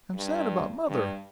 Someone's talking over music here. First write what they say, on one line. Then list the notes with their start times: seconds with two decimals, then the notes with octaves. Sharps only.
"I am sad about mother."
0.15 G2
0.88 G2